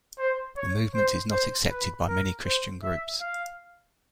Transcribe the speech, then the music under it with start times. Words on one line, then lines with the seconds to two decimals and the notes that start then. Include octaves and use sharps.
The movement is not accepted by many Christian groups.
0.19 C5
0.56 C#5
0.94 C5
1.31 C5
1.70 B4
2.08 A#4
2.45 C5
2.83 E5
3.21 F5